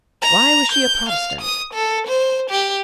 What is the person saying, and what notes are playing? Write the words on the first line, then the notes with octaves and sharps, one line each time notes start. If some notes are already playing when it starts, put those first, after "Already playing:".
Why was she a Protestant?
A#5
G6
F5
D#6
A4
C5
G4